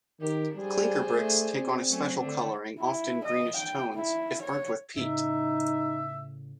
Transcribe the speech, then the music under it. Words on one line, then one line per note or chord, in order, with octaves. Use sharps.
Clinker bricks take on a special colouring, often greenish tones, if burnt with peat.
D#3 G4 A#4
G3 D4 G#4 C5
A3
C4
F#3 A3 C#4
D3 A3 D4
E4
D#5
G5
E4
C#5
A2 C#3 D#4 E5